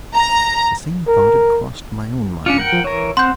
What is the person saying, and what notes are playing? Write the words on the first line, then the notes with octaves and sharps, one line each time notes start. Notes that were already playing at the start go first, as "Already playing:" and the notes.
The same thought had crossed my own mind.
A#5
A#4
C#4 D4 F4 C#7
A#4 F#5 G5
F3
E3 A#4 C#5
C4 F#5 C6 G6